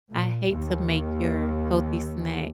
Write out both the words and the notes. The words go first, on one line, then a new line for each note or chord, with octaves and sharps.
I hate to make your healthy snack
A#2
D#2